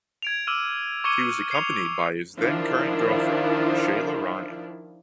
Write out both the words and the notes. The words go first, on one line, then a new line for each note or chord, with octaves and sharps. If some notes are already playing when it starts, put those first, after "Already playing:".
He was accompanied by his then-current girlfriend, Sheila Ryan.
G#6 D7 F7
D6 E6 F6 D#7
C#6 D6 G#6 C#7 D#7 G7
C7 C#7 F7
D#3 F3 D4 E4